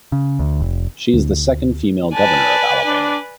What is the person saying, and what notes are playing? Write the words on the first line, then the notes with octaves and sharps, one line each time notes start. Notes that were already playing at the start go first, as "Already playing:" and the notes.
She is the second female governor of Alabama.
C#3
D2
F1
D2
B4 D5 G#5 A5
D4